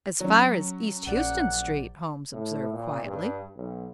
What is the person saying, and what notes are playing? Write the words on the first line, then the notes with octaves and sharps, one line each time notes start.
"As far as East Houston Street," Holmes observed, quietly.
F#3 C#4
A#1 D5 F#5 G6
A2
A#2
G2
B1